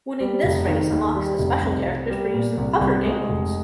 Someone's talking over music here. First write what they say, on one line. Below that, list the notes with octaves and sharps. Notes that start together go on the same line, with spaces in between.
Winning this race unlocks the special characters for use in other game modes.
G3
F1
D#3
D#2
G3
F1
C2
C2
G3
A#2
C2
C2
G#3
F1